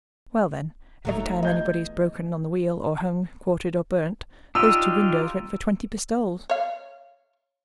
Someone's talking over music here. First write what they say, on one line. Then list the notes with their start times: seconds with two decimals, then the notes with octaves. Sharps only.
"Well, then, every time anybody is broken on the wheel or hung, quartered, or burnt, these two windows let for twenty pistoles."
1.05 E1 F#3 A3 D#4
1.43 E2 D#5 G6 G#6
4.55 D4 D#4 F4 G4 E6
6.50 C#5 F5